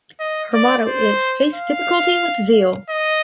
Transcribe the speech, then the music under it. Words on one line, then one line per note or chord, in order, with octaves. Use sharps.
Her motto is "Face Difficulty With Zeal".
D#5
D5
C5
F5
D#5